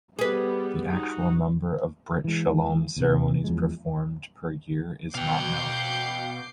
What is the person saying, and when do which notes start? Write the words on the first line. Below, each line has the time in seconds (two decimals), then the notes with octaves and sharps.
The actual number of brit shalom ceremonies performed per year is not known.
0.19 G3 B3 G#4 B4
0.92 D#4 F#4
2.24 E3 G#3
2.97 D#2 C3
3.44 E2 F3 G#3
5.15 B2 F5 G5 D6 G6 C7